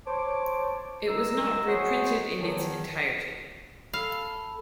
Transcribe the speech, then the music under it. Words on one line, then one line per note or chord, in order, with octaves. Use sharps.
It was not reprinted in its entirety.
C5 C#5 A5 D6
C2 D#3 G3 G#3 A#5 E6
F#3 G#3 A3 G#4 C5 F#5
E2 D#3 F3 F#3
A4 F5 B5